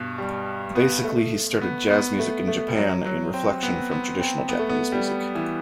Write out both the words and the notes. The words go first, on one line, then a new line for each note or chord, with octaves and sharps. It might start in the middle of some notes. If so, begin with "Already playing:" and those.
Basically, he started jazz music in Japan in reflection from traditional Japanese music.
Already playing: G2 B2
G3
B3
A3
B3
B3
A3
A3
G3
F#3
F#3
C4
B3
B3
C4
B3
A3
B3
G3
E3